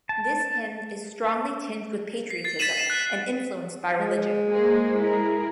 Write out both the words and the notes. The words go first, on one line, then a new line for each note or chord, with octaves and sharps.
This hymn is strongly tinged with patriotism and influenced by religion.
A5
C7
A6 C7
A6 B6 C7 D#7 E7 F#7
D#7 E7
F#6
G#3
A#3 G#4 C5
E4 G#4 A#4